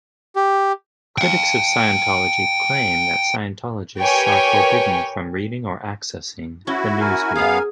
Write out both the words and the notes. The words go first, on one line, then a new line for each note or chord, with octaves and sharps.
Critics of Scientology claim that Scientologists are forbidden from reading or accessing the newsgroup.
G4
F5 G5
G4 A#4 B4 C#5 G5 G#5
C#4 E4 F#4
A#4 G#5
F#2 B3 G#4 F5 F#5